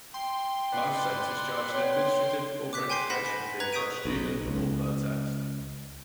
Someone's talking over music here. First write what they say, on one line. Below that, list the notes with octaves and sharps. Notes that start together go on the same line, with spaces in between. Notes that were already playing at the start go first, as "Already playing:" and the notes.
Most centers charge an administrative or registration fee per student or per test.
G5 C6
B4 D5 F#5
C#5 G5
D6 F#6 B6
G5 G#5 C6 G6 B6 C7
F#5 B5 A#6 B6 E7
B6
B4 A#5 F#6 G#6
C#6 D#6 G6 B6 D7 D#7
B1
C#2